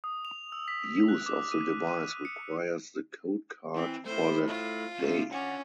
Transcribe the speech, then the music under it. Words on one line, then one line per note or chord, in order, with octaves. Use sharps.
Use of the device requires the code card for that day.
D#6
F7
E6
B6
F#6
D6
D#7
D#7
C#7
E3 C4
A3 E4 C5
F4
C#4 E5
C#4 D4 F#5